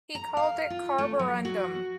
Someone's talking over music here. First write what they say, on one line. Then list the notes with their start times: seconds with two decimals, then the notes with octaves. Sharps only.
He called it carborundum.
0.15 A#5
0.37 F5
0.70 F4
0.98 A3
1.19 F#3
1.45 F#4